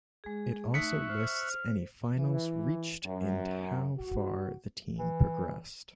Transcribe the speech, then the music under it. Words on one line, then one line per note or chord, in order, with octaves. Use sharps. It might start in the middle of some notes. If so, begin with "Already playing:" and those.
It also lists any finals reached and how far the team progressed.
G#3 G#4
A3 D#4 E5 C#6 F#6 B6 C#7
C5 F6
E3
F#2
F#4
E3